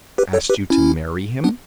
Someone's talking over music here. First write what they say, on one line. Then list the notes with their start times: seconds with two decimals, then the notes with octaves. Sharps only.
"Asked you to marry him?"
0.18 G4 B4
0.33 A4 C#5
0.50 G4 B4
0.70 C#4 E4
1.44 B3 D4